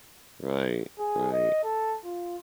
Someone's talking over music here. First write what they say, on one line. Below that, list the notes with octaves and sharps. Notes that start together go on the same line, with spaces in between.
Right, right.
G#4
D#5
A4
F4